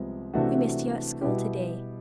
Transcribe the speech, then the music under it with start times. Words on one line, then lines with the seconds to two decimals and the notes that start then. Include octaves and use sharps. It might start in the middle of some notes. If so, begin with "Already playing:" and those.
"We missed you at school to-day."
Already playing: C2 C3 F3 G#3 B3
0.34 C3 E3 A3 D4 F#4
1.21 B2 G3 B3 E4 G4